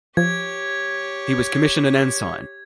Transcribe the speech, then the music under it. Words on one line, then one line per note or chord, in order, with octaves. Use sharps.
He was commissioned an ensign.
F3 G4 C#5 G#6